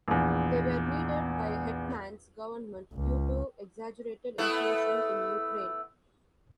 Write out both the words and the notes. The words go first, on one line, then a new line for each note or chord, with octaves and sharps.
They were needed by Hetman's Government due to exaggerated inflation in Ukraine.
A#1 E2
C#2
A3 B3 E4